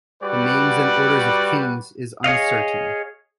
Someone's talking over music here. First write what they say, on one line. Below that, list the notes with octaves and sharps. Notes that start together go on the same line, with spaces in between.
The names and order of kings is uncertain.
G3 F#4 B4 D5 F#5
G#4 C#5 D#5 F5